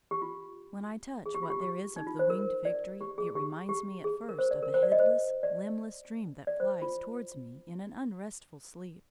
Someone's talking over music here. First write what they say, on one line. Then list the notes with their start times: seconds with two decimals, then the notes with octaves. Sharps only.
When I touch what there is of the Winged Victory, it reminds me at first of a headless, limbless dream that flies towards me in an unrestful sleep.
0.11 G4
0.22 F4
1.26 G#4
1.35 G4
1.43 F4
1.50 G4
1.61 G4
1.96 D#4
2.07 F4
2.19 C5
2.30 A#4
2.65 D5
3.01 G4
3.18 G#4
3.35 G4
3.69 G4
4.04 G#4
4.29 A#4
4.39 C5
4.51 D5
4.62 A#4
4.74 C5
4.83 D5
4.92 D#5
4.99 C5
5.43 D5
6.47 D5
6.60 C5
6.82 F4